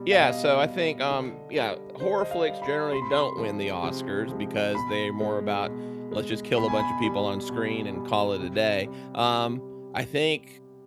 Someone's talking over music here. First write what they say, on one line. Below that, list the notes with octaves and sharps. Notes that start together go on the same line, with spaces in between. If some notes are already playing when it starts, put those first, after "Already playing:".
Yeah, so I think, um, yeah, horror flicks generally don't win the Oscars because they're more about, "Let's just kill a bunch of people on screen and call it a day." Um, I think
Already playing: B2 G3
F5
B2 D#5
G3
D3
G3
D3 C5
D#5
F5
G3
B5
C3 C6
B5
C6
F3 G#3
C3
F3 G#3
B2 B5
G#3
B2
G#3
B2 B5
G#5
B5
G3
B2
G3
C3
G3